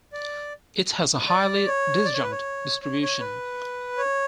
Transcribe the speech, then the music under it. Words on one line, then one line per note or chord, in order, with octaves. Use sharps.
It has a highly disjunct distribution.
D5
D5
C#5
D5
C#5
B4
C#5
C#5
C#5
B4
C#5